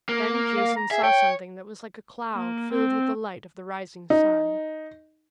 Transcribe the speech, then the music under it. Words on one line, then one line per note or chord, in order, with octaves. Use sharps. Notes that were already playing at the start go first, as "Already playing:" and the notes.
Then Jason saw something that was like a cloud filled with the light of the rising sun.
A#3
F5
A#5
G#4 E5
C#5 G5
A#3
C4
D#4